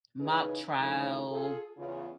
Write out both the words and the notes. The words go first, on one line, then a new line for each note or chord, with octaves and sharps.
mock trial,
C#3 E3 D#4 G#4 B4
F2 A2 D3 D#3 F3
F4 G#4 A4
E2 C#3 F4